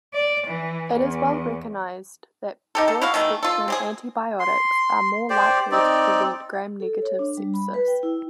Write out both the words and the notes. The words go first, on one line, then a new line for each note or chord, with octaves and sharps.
It is well recognized that broad-spectrum antibiotics are more likely to prevent gram-negative sepsis.
D5
E3
E2
D#4 G4 A4
A4
E4 F#4 F5
D#3 E3 A3
F4 A4
C4 G4 G#4
C6
G4 C5 D5
C4 D#4 D5
A4
C#5
D4
G3
B5
B4
G5
E4